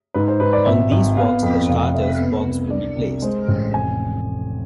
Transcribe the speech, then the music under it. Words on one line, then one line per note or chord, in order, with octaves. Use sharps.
On these walks the starter's box will be placed.
G#2 B4
C5
G#2 B4
D5
G#1 E5
G#1
B3 F5
F2
F1 F5
F1 E5
B3
C2
D4 D5
C2
G#3 C5
A1
F1 G#5